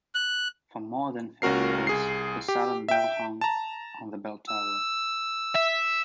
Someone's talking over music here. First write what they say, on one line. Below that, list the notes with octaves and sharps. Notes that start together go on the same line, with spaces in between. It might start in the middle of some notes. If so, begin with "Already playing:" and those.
For more than thirty years, the silent bell hung on the bell tower.
F#6
C#2 C#4 F#4 A#4 C7
C2 G#4 C7
G4
E5 G5
A5 A#5
E6
E5